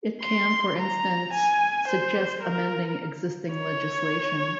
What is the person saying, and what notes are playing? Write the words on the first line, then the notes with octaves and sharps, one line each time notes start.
It can for instance suggest amending existing legislation.
C6
A#5
G#5
C5
A#4
C#5